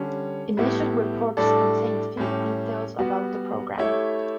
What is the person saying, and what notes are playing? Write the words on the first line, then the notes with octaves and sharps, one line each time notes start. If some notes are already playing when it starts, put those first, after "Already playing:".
Initial reports contained few details about the program.
Already playing: D3 G3 C#4
A2 G3 B3 E4 G4
A2 G3 D4 A4 D5
A2 G3 C#4 G4
G3 B3 F#4
A3 E4 G4 C#5 E5